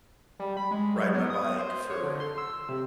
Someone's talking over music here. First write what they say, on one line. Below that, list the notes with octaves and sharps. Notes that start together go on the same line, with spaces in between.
ride my bike for
G3
B5
G#3
F#3
B3
D#6
C5
C#5
D3
C6
E6
C3